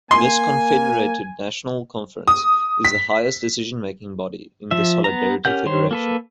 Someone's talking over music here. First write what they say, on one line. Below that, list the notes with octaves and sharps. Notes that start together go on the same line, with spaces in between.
This confederated national conference is the highest decision making body in the Solidarity Federation.
A#3 G#5 C6
D#6
B6
F3 E5
B3 A#5
C#4 G4 A#4 F#5 G6
D#3 C5 C#5 C6
A#3 A4 B4